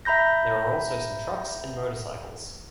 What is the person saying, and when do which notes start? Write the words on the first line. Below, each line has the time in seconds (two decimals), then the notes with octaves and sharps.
There are also some trucks and motorcycles.
0.05 E5 A#5 B5 G6 A#6